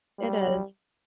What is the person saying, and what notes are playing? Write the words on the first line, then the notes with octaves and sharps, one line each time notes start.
It is.
G3